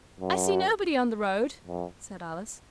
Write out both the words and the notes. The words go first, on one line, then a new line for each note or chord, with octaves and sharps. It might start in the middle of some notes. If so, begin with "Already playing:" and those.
'I see nobody on the road,' said Alice.
F#2
F2